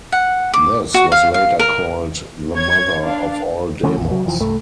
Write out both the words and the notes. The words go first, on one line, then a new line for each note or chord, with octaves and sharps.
This was later called "the Mother of All Demos".
F#5
D6
F#4
F5
F5
A#4
C#5 G#6
D4 F5
D3 E3 A3 C#4
A#1 E2
F#3
F1 F2 E3 F3
C2 G2 A3